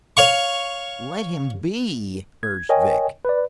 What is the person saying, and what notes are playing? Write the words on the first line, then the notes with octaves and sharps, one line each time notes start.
"Let him be!" urged Vic.
C#5 F5 C#6
G#6
A#4 C#5 D#5 G5 G#5
B4 D5